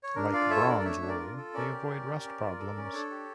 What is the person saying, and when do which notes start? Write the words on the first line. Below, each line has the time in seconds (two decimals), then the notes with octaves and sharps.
Like bronze wool, they avoid rust problems.
0.03 C#5
0.15 D4 A#4
0.33 F4 D5 F5
0.50 A4 C#5 E5
0.67 D4 A#4 D5
0.80 D5
0.85 A3 C#5 E5
1.02 D4
1.08 A#4 D5
1.20 F4
1.37 A4
1.54 C#4 A#4 D5
1.72 G4
1.89 C#4
2.06 G4
2.24 C#4
2.41 F4
2.59 A4
2.76 C#4
2.84 A#4
2.93 D4 A4 C#5
3.11 G4